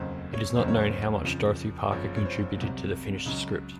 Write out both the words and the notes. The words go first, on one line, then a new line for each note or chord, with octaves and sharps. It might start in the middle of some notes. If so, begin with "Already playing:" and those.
It is not known how much Dorothy Parker contributed to the finished script.
Already playing: F1 D#2 C#3 F#3 C5
C#5
F1 D#2 C#3 F#3 C5
C#5
C5
F2 C#3 F3
F#1 F#2 F3 C#5
C#5
C5
C2 C3 F#3
C#2 C#3 F#3